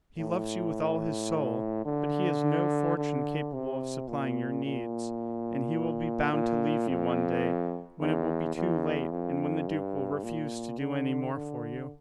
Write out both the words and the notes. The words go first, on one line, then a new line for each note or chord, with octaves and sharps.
He loves you with all his soul, but he has no fortune capable of supplying your needs, and he will be bound to leave you one day, when it will be too late and when the duke will refuse to do any more for you.
A2
D3
D3
C3
A#2
A#2
A#2
F2
E2
E2
F2
G2
A#2
D3
D3